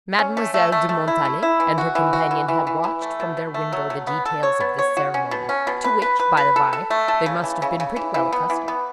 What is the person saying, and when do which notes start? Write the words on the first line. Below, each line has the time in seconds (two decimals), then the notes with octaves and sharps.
Mademoiselle de Montalais and her companion had watched from their window the details of this ceremony, to which, by the bye, they must have been pretty well accustomed.
0.19 C#4
0.37 A3
0.54 A3
0.72 A3
0.89 A3
1.08 E4
1.25 A3
1.43 E4
1.60 E3
1.78 F#4
1.95 E3
2.13 F#4
2.31 E3
2.48 E3
2.67 E3
2.84 E3
3.02 A3
3.20 B2
3.37 B2
3.54 A3
3.72 F#3
3.90 F#3
4.07 B3
4.26 A4
4.43 C#5
4.60 B3
4.79 C#5
4.97 F#4
5.14 C#4
5.31 B2
5.49 C#4
5.67 B2
5.84 B4
6.02 B4
6.20 B4
6.37 B4
6.56 A4
6.73 A4
6.90 A3
7.08 A4
7.26 C#3
7.44 E3
7.62 C#3
7.80 C#3
7.96 E3
8.14 E3
8.33 B3
8.50 E3
8.68 B3